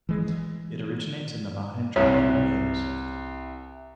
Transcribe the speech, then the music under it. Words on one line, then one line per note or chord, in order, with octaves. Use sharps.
It originates in the Mahendragiri hills.
E3 G#3
C2 C#5